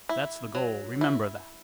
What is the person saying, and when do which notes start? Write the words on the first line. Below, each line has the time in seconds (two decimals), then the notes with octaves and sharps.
That's the goal, remember that!
0.09 E4
0.55 F#3
1.01 E4